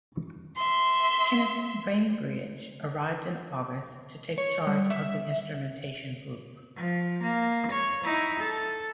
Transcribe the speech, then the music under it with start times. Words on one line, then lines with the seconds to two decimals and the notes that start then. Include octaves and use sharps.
Kenneth Bainbridge arrived in August to take charge of the Instrumentation Group.
0.56 E5 C6
4.38 C#5
4.67 G3
4.90 E5
6.77 F3
7.23 A#3
7.72 C#5
8.04 D#4 E4
8.40 A4